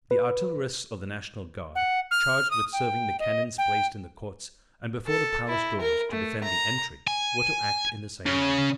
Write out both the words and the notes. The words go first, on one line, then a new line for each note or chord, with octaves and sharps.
The artillerists of the National Guard, charged with serving the cannons placed in the courts and before the palace doors to defend the entry, were to act in the same manner.
B4
F#5
F6
D#6
G5
D#5
G5
A4
E4
A#4
A3
A#5
G#5
C#3